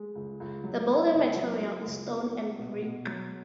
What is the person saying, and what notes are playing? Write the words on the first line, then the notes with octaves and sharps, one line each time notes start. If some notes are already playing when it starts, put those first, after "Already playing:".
The building material is stone and brick.
Already playing: G#3
C#2
C#2
F#3
B3
C#2
F#3
F#3
C#2
B3
B3
B2
B2
F#3